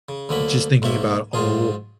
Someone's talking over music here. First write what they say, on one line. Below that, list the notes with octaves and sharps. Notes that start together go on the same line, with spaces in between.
just thinking about, oh,
C#3
D2 D3 F#3 A#3 B5
B1 G#2 A#3 C#5 E5
G#2 F#3 F4 G#4